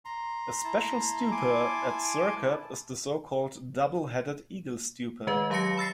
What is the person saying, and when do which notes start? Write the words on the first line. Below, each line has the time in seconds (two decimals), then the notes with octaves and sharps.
A special Stupa at Sirkap is the so-called 'Double-Headed Eagle Stupa'.
0.05 A#5 C6
0.64 E4 A5
1.31 G#5 C6 D6
5.27 D#3 G#3 B4 D#5
5.50 F#3 G4 F5 A5 A#6 C#7
5.77 B5 E6 A6 C7